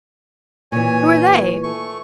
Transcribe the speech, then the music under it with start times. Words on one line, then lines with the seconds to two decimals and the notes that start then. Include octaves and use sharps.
"Who are they?"
0.72 A#2 E3 C#5 G#5
1.63 A3 C#6